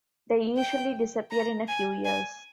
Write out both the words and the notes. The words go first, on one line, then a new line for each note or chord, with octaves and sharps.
They usually disappear in a few years.
G5
A#5
G#5
G#5